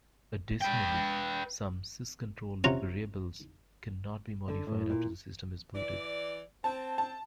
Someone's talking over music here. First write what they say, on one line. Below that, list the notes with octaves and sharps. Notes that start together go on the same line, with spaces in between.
Additionally, some sysctl variables cannot be modified after the system is booted.
B4 G5
C3 C#4 F4 C#5 F#5 A#5
D3
A2
A#2
E3 D5
C4 A5
A5